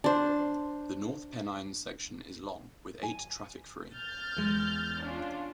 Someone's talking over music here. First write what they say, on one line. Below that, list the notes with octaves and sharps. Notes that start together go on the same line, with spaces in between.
The North Pennines section is long, with eight traffic-free.
D4 C5
G#5
F6 G6 A6
E2 G#3
C#4 D4 F4